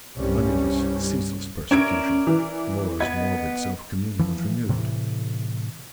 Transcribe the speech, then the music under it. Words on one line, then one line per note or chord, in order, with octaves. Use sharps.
Under this ceaseless persecution, Laura's morbid self-communing was renewed.
C2 G2 G3 C#4
C#4 A#4 D5 E5 G#6 D7
E3
B3 B4 D#5 G#6
E3 F3
A2 C3 E3